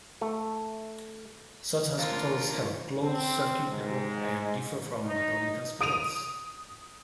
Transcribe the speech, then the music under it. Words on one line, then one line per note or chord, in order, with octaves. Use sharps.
Such hospitals have a closed circuit network and differ from the public hospitals.
A3
D3 A#3 C4 F4 C5 F5
C4
G#2
D#4
D#6 D7 D#7 F7